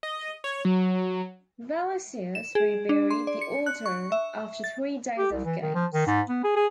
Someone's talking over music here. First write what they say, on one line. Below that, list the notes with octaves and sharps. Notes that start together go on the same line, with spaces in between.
Valesius reburied the altar after three days of games.
D#5
C#5
F#3
E7
G#4
D4
C6
D5
C#7
F#6
C#6
E5
A6
G4
C2
E3
D#3
F3
D#3
G#2
B3
G#4
G#4